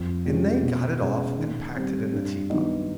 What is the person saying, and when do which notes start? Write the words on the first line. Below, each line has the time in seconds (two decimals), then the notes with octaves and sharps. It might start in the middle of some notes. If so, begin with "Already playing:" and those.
And they got it off, and packed it in the teapot.
Already playing: F2
0.26 C3 F3 G#3 C#4
0.63 B2
1.00 G#3 C#4
1.38 D#3
1.75 G3 C4
2.13 G2
2.50 D#3 F#3 B3 D#4